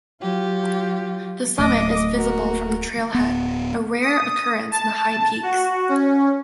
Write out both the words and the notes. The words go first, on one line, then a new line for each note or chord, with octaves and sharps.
The summit is visible from the trailhead, a rare occurrence in the High Peaks.
F#3 F4 G4
D1 D#5 D6 D#6
A#3 F#4 A#4
D1 B3
D#6
A5
F#4
C#4